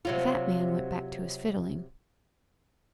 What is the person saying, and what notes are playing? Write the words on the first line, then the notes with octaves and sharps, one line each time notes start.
The fat man went back to his fiddling.
C3 F#3 F4